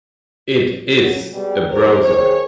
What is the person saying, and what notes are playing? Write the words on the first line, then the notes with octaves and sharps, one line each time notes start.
It "is" a browser.
C#3 F#3
B2 G3 G#3
B2 F#3 G#4 A#4 C5
D#3 G#4 C#5